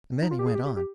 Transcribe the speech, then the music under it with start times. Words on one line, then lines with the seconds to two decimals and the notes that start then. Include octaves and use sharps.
And then he went on.
0.22 D#4
0.31 F4
0.39 G4
0.46 G#4
0.55 G4
0.66 G4
0.77 G4